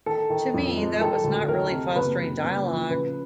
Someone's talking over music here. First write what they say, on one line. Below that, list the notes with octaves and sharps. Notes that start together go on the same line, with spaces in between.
To me, that was not really fostering dialogue.
D#3 A4
D#3
F2
G#3
D#3 A4
D2
D#3 A#4
C3
F#1 B4
F#2
F#1
F3
C#3 B4